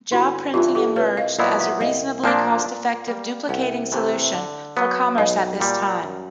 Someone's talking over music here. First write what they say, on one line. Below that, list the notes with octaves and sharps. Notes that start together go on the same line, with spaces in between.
Job printing emerged as a reasonably cost-effective duplicating solution for commerce at this time.
G1 E4 F#4
G2 E3 F4 G4
G4 A4
C2 B4 C#5
D#5 F5
A#2 F#3 B3 E4 D#5 F5
E5 F#5
C2 D#5 F5
A#2 F3 A#3 D4
A#2
G3 A#3
C2 E5 F#5
C3 E3 A3
D3
F#3 B3
B1 D#5 F5
A#2 G3
F#2